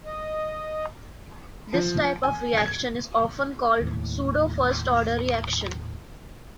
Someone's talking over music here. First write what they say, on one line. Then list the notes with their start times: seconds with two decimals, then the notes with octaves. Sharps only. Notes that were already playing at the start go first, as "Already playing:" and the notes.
This type of reaction is often called a pseudo first order reaction.
0.06 D#5
1.74 F3
2.23 G#5
2.57 G#6
3.82 D#2 A2